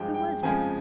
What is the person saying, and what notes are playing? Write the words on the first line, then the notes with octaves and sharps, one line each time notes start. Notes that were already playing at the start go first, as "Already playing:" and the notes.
"Who was it?"
Already playing: G2 F3 G#3 G5
G5
F2 C#3 F3 G#3 G#5